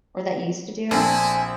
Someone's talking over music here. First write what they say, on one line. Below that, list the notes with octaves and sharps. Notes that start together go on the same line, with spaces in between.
Or that you used to do?
A#1 D3 C4 E4 G#5